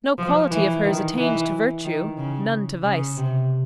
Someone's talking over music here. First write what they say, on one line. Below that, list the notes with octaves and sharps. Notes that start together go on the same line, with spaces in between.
No quality of hers attained to virtue, none to vice.
F3
E3
D#3
E3
D#3
C#3
C#3
C3